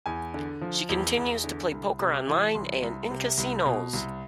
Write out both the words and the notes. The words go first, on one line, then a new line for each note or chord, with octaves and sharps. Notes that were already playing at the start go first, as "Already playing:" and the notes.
She continues to play poker online and in casinos.
E2 G#5
D3
F3
E2
E2
D3
C2
C3
D6
E3
C2 C6
C2
C3
C2
B2
C2